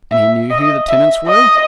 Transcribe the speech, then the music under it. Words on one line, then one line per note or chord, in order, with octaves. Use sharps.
"And he knew who the tenants were?"
E5
D#5
E5
D#5